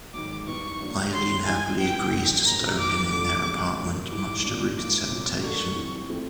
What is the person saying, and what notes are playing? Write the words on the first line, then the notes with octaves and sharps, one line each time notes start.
Eileen happily agrees to stow him in their apartment, much to Ruth's hesitation.
G#2 D#3 F#3 D6
E2 B2 G3 B3 D#4 C#6
G2 D3 F#3 A#3 D4
D#2 D#3 G#3 C#4 F#4 C6
G2 E3 G3 G#5
G#2 E3 G#3 B3 G5
F#2 D3 F3
A#2 G3 B3 D#4 A#5
D#3 F#3 B3 D6
F3 A3 D4 F#4 A4 D6
F#2 D3 F3 G#3 C4
F#2 D3 F#3 A#3
G#2 E3 G3 D6
A#2 F#3 A#3 D4
G#2 F3 A#3 D6
C2 A#2 F#3
F#3 A3 D4 F#4 A#4 C#6
E3 G3 C4
F3 A3 C4 E4